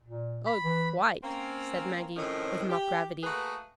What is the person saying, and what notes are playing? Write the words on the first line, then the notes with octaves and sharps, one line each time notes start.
"Oh, quite," said Maggie, with mock gravity.
A#2
B5
E3
A#3 C4 C#4
F2 A2 D#3 F3 C#4 E4
G4
A3 A#3 F#4 G#4 B4